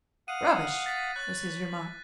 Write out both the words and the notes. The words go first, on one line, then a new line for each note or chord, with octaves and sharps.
"Rubbish," was his remark.
F5 F#5 D#6 D#7
A6 B6
C#5 B5 F#6 A6